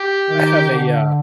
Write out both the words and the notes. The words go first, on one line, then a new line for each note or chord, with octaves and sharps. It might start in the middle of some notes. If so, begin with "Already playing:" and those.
I have a, uh
Already playing: G4
D#3
D3